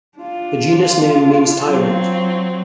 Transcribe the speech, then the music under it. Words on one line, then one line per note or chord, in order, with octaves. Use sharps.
The genus name means "tyrant".
D4 F4
F#3 C4